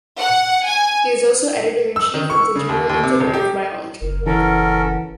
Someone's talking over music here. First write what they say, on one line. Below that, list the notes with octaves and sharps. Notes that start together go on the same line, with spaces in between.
He is also editor in chief of the journal "Integrative Biology".
F#5
G#5
E6
D#3
C#6
C#3
D#2
D#2
C3
D#1
G4
F#1 A#4
E3 C#4 A4 A#4 F#5